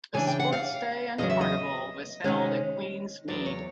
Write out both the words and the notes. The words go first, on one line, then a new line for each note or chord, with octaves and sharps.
A sports day and carnival was held at Queen's Mead.
C#3 E3 A3 D4 G#5
G5
F#5
F5
E2 C#3 F#3 D#5
E5
D#5
C3 D#3 G#3 C#4
E2 B2 F#3 D5
C#5